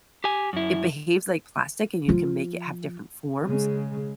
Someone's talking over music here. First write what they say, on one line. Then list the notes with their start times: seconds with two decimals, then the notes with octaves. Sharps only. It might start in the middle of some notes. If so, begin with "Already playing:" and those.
it behaves like plastic, and you can make it have different forms,
0.24 G4 G#5
0.53 F#2 E4
2.08 F3 F4
3.44 C#3 G#3